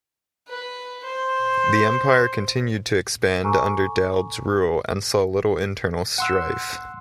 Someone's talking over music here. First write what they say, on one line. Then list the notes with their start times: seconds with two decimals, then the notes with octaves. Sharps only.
The Empire continued to expand under Daoud's rule, and saw little internal strife.
0.48 B4
1.04 C5
3.44 A4 G#5 A#5 C#6 D6 E6
6.18 F#5 C6 E6